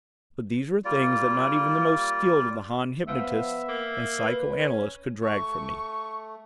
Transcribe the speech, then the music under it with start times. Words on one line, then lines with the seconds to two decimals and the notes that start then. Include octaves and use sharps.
But these were things that not even the most skilled of the Han hypnotists and psychoanalysts could drag from me.
0.85 G3 A#3 F4 D5
3.08 F3 B3 E5
3.69 A#3
4.19 B4
4.59 C#4
5.23 A3 C#6